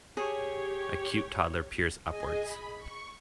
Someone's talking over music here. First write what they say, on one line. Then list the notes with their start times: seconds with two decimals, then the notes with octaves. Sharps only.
A cute toddler peers upwards.
0.17 G4 G#4 C#5
2.05 G#4 D#5 G#5
2.43 B5
2.77 C#6